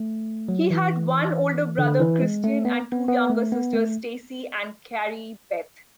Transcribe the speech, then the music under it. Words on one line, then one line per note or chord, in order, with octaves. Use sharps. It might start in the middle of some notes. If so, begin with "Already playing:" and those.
He had one older brother, Christian, and two younger sisters, Stacy and Carrie Beth.
Already playing: A3
F#3
E3
D3
E3
G#3
A3
B3
B3
B3
A3
B3
A3